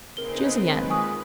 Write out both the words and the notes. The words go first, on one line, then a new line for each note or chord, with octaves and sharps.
Choose again.'
C#3 A#3 C4 D#4 G#4 A#4 B4 G7
D#3 G#3 B4
A#3 F4 G#5 C#6 D#6